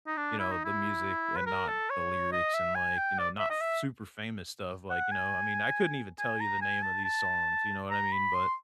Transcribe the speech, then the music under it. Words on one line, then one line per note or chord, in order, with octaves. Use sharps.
you know, the music and not the lyrics and like, you know, not f super famous stuff. Like, you know, I mean, I couldn't even tell you the name of these songs, you know what I mean? But
D#4
D4
E4
D#4
E4
B4
A#4
A4
C#5
D#5
E5
G#5
G5
D5
E5
D#5
E5
F#5
G#5
G#5
A#5
G#5
A5
A5
A#5
B5
C6